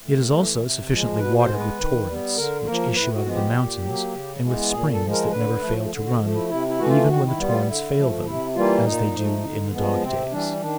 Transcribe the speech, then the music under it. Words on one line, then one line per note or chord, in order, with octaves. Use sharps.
It is also sufficiently watered with torrents, which issue out of the mountains, and with springs that never fail to run, even when the torrents fail them, as they do in the dog-days.
A2
E3 A3
C3
F3 G#3
B2 B4
C5
G#3 B3
B4
D#3
G3 B3
D3 A#4
F3 A#3 A#4
A2 B4
F#4
F3 G#3 B3
G4
A#2
F#3 A#3
C#3
E3 G#3 B3
A#2 G#4
A4
F3 G#3
A#4
D3 B4
F3 A3
D3
F#4
F3 A3
E4
C3 E4
E4
E3 A3 F#4
F4
D#3 F#4
E4
G3 B3
F4
D3 E4
F3 A3
C3 E4
E3 G3 A#3 F4
A#2 D#4
F3 A3
D3
F3 G#3 B3
C3 C4
E3 G3 D4
D#3 D4